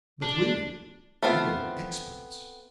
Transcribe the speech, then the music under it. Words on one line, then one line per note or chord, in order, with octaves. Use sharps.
But we! we are experts.
D4
A3 B3 C4 F4